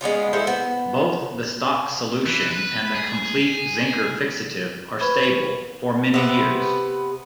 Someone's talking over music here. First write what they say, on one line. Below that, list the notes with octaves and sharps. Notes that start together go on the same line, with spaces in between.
Both the stock solution and the complete Zenker fixative are stable for many years.
G#3 B3 C#4 F4
G#3 E4 A4 C5
B3
E3
B4
G#4
B4 C5 B5 C#6 G#6 G7
C3 B3